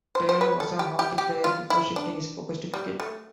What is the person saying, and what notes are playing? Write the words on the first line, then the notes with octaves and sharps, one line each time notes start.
Taylor was a hockey player before shifting his focus to cricket.
C5
C5
B4
A4
G4
G4
G4
F4
E4
D4
G3
A3